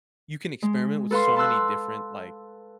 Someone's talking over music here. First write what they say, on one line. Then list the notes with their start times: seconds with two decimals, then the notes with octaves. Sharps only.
you can experiment with so many different, like,
0.62 G#3
1.11 A4 B4 F5 C6
1.36 A5 C6 E6 F#6